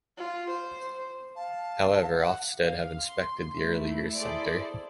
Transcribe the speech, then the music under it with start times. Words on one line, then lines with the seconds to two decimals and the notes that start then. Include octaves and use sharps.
However, Ofsted have inspected the Early Years Centre.
0.17 F4
0.51 C5
1.36 F5 A5
2.16 F#5
2.63 F5
3.01 C6
3.57 A3 E4
4.16 E4 G#4 A4 C5 D5